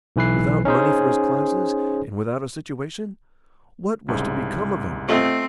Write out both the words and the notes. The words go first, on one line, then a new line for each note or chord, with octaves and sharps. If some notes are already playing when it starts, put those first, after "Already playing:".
Without money for his classes, and without a situation--what was to become of him?
B1 E3 B4 C7
C#4 D#4 G#4 C5
C2 G#2 C#3
A3 C4 F4 D#5